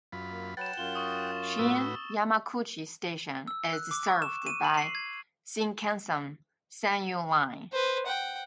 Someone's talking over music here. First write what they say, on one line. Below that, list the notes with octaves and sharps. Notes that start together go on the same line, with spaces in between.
Shin-Yamaguchi Station is served by the Shinkansen Sanyō line.
F#2 F4 B5
A#3
F#3 B4 F#5 G5 A6 E7
F#2 F4 G7
C#6 D#6
A2 F#4 B4 E6
E6
F#6
D6
C#6
E7
D#7
F#7
C7
G#6
B4 C5
F#5 G5